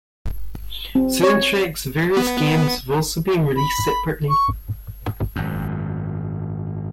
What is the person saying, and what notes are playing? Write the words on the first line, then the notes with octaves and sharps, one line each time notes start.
Soundtracks of various games have also been released separately.
C4
C#5
B3
B5
C#6
G#1 F#2